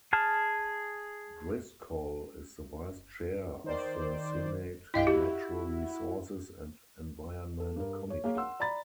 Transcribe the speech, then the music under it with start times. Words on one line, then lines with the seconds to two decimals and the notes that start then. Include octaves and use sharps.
Driscoll is the vice chair of the Senate Natural Resources and Environment Committee.
0.13 G#4 A5 F6
3.64 D#3 C5 D5
4.94 C2 G2 E4 D#5 F5 G5
5.07 E4 F#4 G4
7.60 A4
7.76 G2 A#4
8.10 C#5
8.24 A#3 G#4 A#4 C#5 F5
8.37 F#5 C6 E6
8.60 D5 A#5 B5 A6